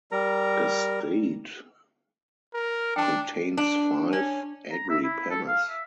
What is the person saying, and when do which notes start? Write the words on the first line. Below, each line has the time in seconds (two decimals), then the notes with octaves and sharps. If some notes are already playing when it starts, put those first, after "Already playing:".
A stade contains five agripennes.
0.12 G3 A#4 A#5
2.54 A#4
2.96 D4 G5 A5
3.57 D4
4.13 C#4
4.72 A#5
4.90 E5
5.04 E4
5.30 A4
5.47 F5
5.70 E5